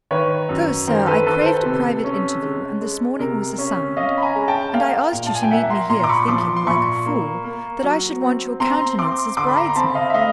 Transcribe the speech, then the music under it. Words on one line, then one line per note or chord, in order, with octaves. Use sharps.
So, sir, I craved a private interview, and this morning was assigned; and I asked you to meet me here, thinking, like a fool, that I should want your countenance as bride's-man.
D#3 B4 C#5
F#2
D#3 A#4 C5
A4 B4
D#3 A4 B4
C5
A4 B4
C3
C#4
G#3
G#3
C3 A#4
C#4
C#4 D#5 F5
B5
G#5 A#5
G#3
G5 A5
A#3 F5 G5
A#2
A5
G#5
G5
A#3 E5 F#5
A#5 C6
A#2 A#5 C6
D6
B5 C#6
F3 C6 D6
C6
A#2 B5 C#6
A#3
A#3
F#3
C4
C4 A#5 C6
C4 C6 D6
D3 C6 D6
B5
A#5 C6
C6
C4 A5 B5
D#5 F5
E5
A3 D#5 F5